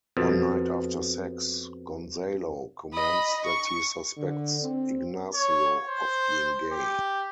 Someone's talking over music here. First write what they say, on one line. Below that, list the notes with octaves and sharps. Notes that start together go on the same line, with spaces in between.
One night after sex, Gonzalo comments that he suspects Ignacio of being gay.
F2 B2
D#5 B5
C#6
D3
C4
C#5
C5
G4